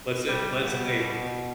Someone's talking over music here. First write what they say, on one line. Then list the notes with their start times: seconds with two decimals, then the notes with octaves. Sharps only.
Lets in let's, hey
0.29 G3
0.65 B2
1.01 B2